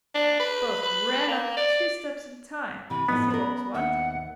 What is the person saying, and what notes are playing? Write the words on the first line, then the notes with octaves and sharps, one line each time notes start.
Both ran up two steps at a time, to see what was wanted.
D4
B4
B4
A#3
D5
C3 E3 B5
A2 F3 B3 D#4
C#4 A#4
D#2 E5 F#5